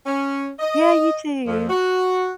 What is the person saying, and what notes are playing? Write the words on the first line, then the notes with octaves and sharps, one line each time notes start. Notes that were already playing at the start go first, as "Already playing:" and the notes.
Yeah, you too.
C#4
D#5
F2
F#4